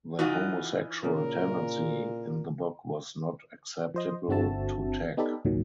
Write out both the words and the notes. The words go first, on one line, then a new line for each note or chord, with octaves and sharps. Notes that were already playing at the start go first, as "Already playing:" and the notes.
The homosexual tendency in the book was not acceptable to Tak.
E3 D#4 F4 F#4
A#2 C#3 A#3 A#4
F3 C5 D#5
G1 D3 C4 F#4 E5 A5
B3 D#4 G4 A4 D5 B5
G#1 C#2 A#2 D#3 F#3